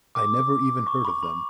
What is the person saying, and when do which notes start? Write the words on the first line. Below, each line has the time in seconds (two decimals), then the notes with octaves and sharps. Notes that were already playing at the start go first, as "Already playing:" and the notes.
I never even heard of them.
0.15 D6
0.87 C#6
1.05 B5
1.23 B5